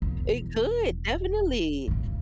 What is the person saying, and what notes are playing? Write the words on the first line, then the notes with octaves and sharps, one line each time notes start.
It could, definitely,
E1
B1 G2